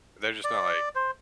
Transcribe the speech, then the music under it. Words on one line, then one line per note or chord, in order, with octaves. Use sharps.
They're just not, like,
D5
C5